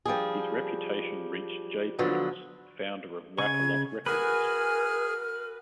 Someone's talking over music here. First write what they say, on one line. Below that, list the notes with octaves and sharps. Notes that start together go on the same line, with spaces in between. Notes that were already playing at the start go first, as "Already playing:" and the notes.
His reputation reached J Prince, founder of Rap-A-Lot Records.
F3 G3 D4 G#4
D3 F3 F#3 B3
C#3 G#5 C#6 G#6
F#4 G#4 A#4 B4 G#5 F6